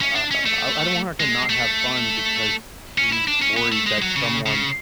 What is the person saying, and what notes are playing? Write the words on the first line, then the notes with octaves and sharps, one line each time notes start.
uh, I I don't want her to not have fun because she's worried that someone
C#4
D4
C#4
A3
G#3
A3
C#4
E4
D4
C#4
B3
A3
G#3
F#3
C#3
C#3